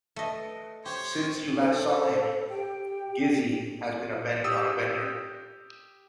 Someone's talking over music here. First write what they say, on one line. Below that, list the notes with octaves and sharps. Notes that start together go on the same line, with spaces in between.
Since you last saw him, Gussie has been on a bender.
A3 D#5
G4 C5 C#5
A4 C5
G4 G5
G4 D#6 E6